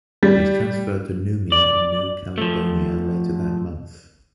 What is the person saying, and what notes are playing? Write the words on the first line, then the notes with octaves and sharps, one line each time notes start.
He is transferred to Noumea in New Caledonia later that month.
G3
D5
F3 A3